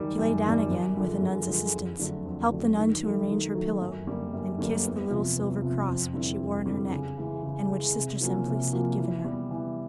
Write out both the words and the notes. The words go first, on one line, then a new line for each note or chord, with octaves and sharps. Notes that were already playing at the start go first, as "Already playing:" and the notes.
She lay down again, with the nun's assistance, helped the nun to arrange her pillow, and kissed the little silver cross which she wore on her neck, and which Sister Simplice had given her.
Already playing: F#2 D#3 G3
F#2
D#3 G3
F#2
D3 F3 G#3
F#2
D3 F3 G#3
F2
D3 F#3 A3 D4
F2
D3 F#3 A3 D4
D#3
F#3 A3
D#3
F#3 A3
F#2
D3 G3 A#3
F#2
D3 G3 A#3
E2
C3 F3
E2
C3 F3
F2
D3 G3 C4 E4
F2
D3 G3 C4 E4
C#3
E3 G#3
C#3
E3 G#3
C3
F3 A#3 C#4 F#4
C3
F3 A#3 C#4 F#4
E3
G3 B3
E3